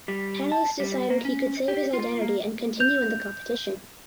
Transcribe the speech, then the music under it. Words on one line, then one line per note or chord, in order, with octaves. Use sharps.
Panelists decided he could save his identity and continue in the competition.
G3
A5
G3
A#3
C#4
G4
F4
A#3
G6 F7